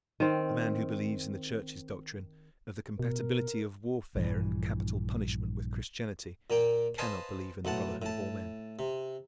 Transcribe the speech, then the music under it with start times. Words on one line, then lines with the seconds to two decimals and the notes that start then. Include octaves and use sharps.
The man who believes in the Church's doctrine of the compatibility of warfare and capital punishment with Christianity cannot believe in the brotherhood of all men.
0.20 D#3 C4
2.99 B2 A#4
4.15 A#1 G2 E3
6.50 A#2 A#3 G5
6.98 B4 C5 D#5 F5 G#5 A5
7.65 B1 A2 F#5 A5
8.02 A2 A5
8.79 C3